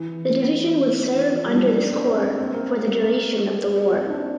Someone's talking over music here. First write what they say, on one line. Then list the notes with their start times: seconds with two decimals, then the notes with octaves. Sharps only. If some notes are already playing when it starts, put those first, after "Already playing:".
The division would serve under this Corps for the duration of the war.
Already playing: E3
0.51 E3
1.14 E3
1.29 F3
1.45 G3
1.55 D4
1.65 E4
1.76 D4
1.91 C4
2.07 A#3
2.23 A#3
2.39 C4
2.54 A#3
3.02 A#3
3.95 C4
4.05 E4
4.10 D4